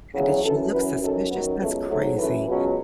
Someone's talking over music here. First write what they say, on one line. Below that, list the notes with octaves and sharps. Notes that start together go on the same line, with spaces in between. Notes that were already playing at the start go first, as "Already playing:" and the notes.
Did she look suspicious? That's crazy.
E2 C#3 F#3
F#2 E3 A4
F#2 E3 B4
F#2 D#3 F#3 A4
F#2 D#3 F#3 B3
C#2 B2 F#3 A3
G#2 F#3 A3
F#2 E3 A3
C#2 B2 F#3 C#4